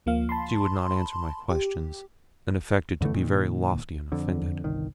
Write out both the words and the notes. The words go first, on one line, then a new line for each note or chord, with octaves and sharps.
She would not answer my questions, and affected to be very lofty and offended.
D2 F3 A#3 F5
A5 B5 C6
G4
F#2 D3 E3 A3
A#2 D#3
F2 D3
G1 C2 D#3